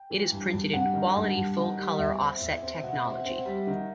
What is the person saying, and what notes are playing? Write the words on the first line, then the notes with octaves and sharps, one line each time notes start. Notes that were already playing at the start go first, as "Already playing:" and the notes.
It is printed in quality full colour offset technology.
Already playing: G5
E3
G2
G2
G2 F#5
D#3
G2
G2
D#3
G3
E2 E5
C4
E2
C4
B2 F#5
C4
C4
G3
D#3